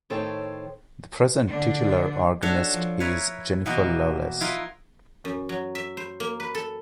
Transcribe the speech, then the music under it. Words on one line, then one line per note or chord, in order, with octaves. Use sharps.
The present titular organist is Jennifer Loveless.
A2 D#3 A4 C5 C#5 G5
D3 D4
D4 F#4 A4 C#5 E5
F3
E4 A#4 B4 C#5
B2 E3 A#3 B3 F#4 A#4
E4 F4 A#4 B4 D#5
F#2
F#3
E5
C5
A#3
B4
A4